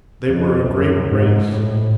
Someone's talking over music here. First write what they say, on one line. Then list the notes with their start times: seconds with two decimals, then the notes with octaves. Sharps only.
They were a great race.
0.29 F2
0.68 F#2
1.06 G#2
1.46 A2